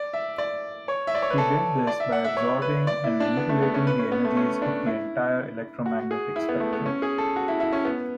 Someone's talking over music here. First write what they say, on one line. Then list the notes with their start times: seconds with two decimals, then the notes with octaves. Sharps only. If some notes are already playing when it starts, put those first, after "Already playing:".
He did this by absorbing and manipulating the energies of the entire electromagnetic spectrum.
Already playing: D5
0.13 E5
0.38 D5
0.88 C#5
1.07 E5
1.15 D5
1.22 C#5
1.30 B4
1.38 A4
1.87 D5
2.00 E5
2.12 F#5
2.25 E5
2.37 C#5
2.62 B4
2.87 D5
3.04 E4
3.20 D4
3.37 B3
3.49 A3
3.62 B3
3.74 C#4
3.87 B4
3.99 C#4
4.12 B3
4.25 A3
4.37 C#4
4.62 D4
4.86 E4
5.86 F#4
6.11 G#4
6.36 E4
6.49 B3
6.60 A3
6.73 B3
6.86 C#4
7.02 G#4
7.18 A4
7.36 F#4
7.48 E4
7.60 E4
7.73 C#4
7.85 B3